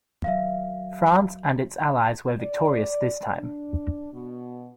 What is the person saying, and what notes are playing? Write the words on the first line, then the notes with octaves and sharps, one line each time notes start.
France and its allies were victorious this time.
D#3 F#3 E5 F5
D5
D4
B2